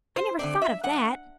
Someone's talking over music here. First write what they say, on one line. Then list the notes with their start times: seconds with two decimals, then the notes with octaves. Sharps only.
I never thought of that.
0.16 C5
0.39 D3 A3 C4 D5
0.62 E5
0.84 G2 F#5